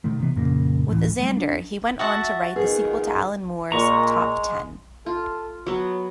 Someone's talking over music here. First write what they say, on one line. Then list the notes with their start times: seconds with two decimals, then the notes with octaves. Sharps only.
With Zander he went on to write the sequel to Alan Moore's "Top Ten".
0.04 B2 D3 D#3 A3
0.20 C3 E3 B3
0.36 F2 A#2 C#3 A#3
0.89 A1 D2 E3
1.20 G3 A3
1.37 D4
1.99 F#4 E5 F#5 A5
2.56 D#3 F3 B3 D#4 G#4 B4
3.72 A#2 G#3 A#5 C#6
5.06 F4 A4
5.66 F#3 B3 C#5